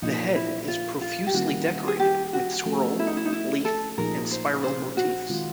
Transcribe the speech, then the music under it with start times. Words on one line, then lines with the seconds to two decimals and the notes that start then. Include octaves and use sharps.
The head is profusely decorated with scroll, leaf, and spiral motifs.
0.02 A#2 F3 A#3 D4 D#4 F4
0.36 E4
0.68 F4
1.01 F4
1.27 G4
1.34 D#3 G3 A#3 C#4 E4 F#4
1.88 G#4
1.99 G4
2.33 F#4
2.66 F3 A3 C#4 F#4 A4
2.99 E4
3.07 D#4
3.17 E4
3.25 D#4
3.32 E4
3.65 A4
3.98 A#2 F3 A#3 D#4 G#4 A#4
4.31 C5
4.64 C5
4.97 F#4
5.29 D#3 G#3 C4 F4